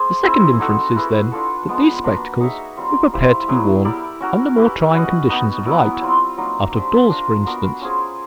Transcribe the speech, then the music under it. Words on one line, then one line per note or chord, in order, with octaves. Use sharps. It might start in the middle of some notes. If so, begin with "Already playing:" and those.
The second inference is, then, that these spectacles were prepared to be worn under more trying conditions of light--out of doors, for instance.
Already playing: A#3 G#4 C5
C4 E4 G#4
D#4 F#4 A4
E4 G#4 B4
D4 F4 A4
F3 G#3 B3
A#3 D4 F#4 B4
D#4 G#4 C#5 E5
G3 C4 F4
E4 G4 C5 F5
F#3 B3 E4 G#4
E4 G4 A#4 D5
C#4 F#4 A#4
E4 G4 B4
C#4 F#4 B4 D#5
B3 D#4 F#4
F#3 B3 E4
G3 C4 F4
F#3 A#3 D#4
D4 G4 C5
D4 F4 A#4
B3 D4 F#4 A#4
C#4 F4 G#4 C5